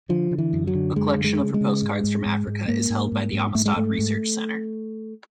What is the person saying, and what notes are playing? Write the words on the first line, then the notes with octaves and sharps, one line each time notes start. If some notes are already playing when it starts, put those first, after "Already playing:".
A collection of her postcards from Africa is held by the Amistad Research Center.
D3 F3
D3
E3
F#2
F#3
D3
F#2 G#3
F#2
G#3
C#3
G#3
C#3
G#2
G#2
G#2
G#2
G#2 A#3
G#2
G#2
G#2
G#2 A3
G#3
G#2 A3
G#2